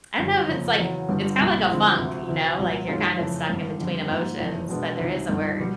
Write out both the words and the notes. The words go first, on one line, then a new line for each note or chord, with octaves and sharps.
I don't know if it's like it's kinda like a funk, you know? Like, you're kind of stuck in between emotions, but there is a word.
G1 F#2 D3
F2 C#3 F3 A#3
E2 C#3 F#3
G1 G2 D3 G3 B3
C2 B2 G3 A#3
D3 F3 G#3 C4 E4
D2 C3 F3
D2 C3 E3
C2 A#2 F#3
F#2 D#3 G#3 C#4 F4
F2 C#3 E3 A3
G#1 G2 E3
F2 D3 G3 C4
G#2 F3 A#3
F#1 F2 C3 E3 A3
B2 G#3 B3 D4
C#2 C3 D#3
G1 G2 D#3
B2 G3